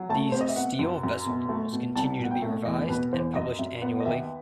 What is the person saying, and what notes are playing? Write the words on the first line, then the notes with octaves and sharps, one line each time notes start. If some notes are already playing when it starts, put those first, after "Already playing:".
These Steel Vessel Rules continue to be revised and published annually.
Already playing: F#3
A3 A5
C3 C5
D#5
E5
B3 F#5
F#2
F#2
B2
A3
B2
C2 A5
B2 F#5
G5
A3
E2 D#5
B2 B4
E2 C5
F#2 D#5
F#2 E5
B3 F#5
D#5
D#2 E5